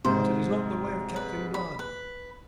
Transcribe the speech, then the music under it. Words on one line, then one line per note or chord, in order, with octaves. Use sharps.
But it is not the way of Captain Blood.
G#2 C3 C5
B4
B5
B4